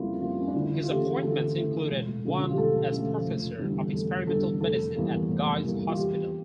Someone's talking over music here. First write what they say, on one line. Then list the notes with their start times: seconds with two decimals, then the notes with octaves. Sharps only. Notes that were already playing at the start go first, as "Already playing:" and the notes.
His appointments included one as Professor of Experimental Medicine at Guy's Hospital.
Already playing: F2 C#3 G3 A#3 E4 F4
0.21 C#3 G3 A#3 F4
0.40 C#4
0.48 D4
0.55 D2 E4
0.83 F4
0.88 C#3 E3 A3 G4
1.22 D2 A4
1.56 C#3 E3 A3
1.90 E1
2.24 D2 C#3 F3 A3
2.43 F4
2.51 G4
2.58 E1 A4
2.92 D2 C#3 F3 A3
3.25 F1
3.59 E2 D3 G3
3.93 F1 A4
4.27 E2 D3 G3 A4
4.61 F1 A4
4.95 E2 E3 G3 A#3
5.29 F1
5.63 E2 E3 G3 A#3
5.88 F4
5.96 E2 G4